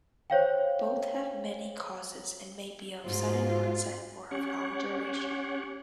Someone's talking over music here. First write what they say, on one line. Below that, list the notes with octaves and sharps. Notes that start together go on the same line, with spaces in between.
Both have many causes and may be of sudden onset or of long duration.
C5 C#5 F5 G5
G#2 F4 F#4 C5
C#4 G4 C#5 F#5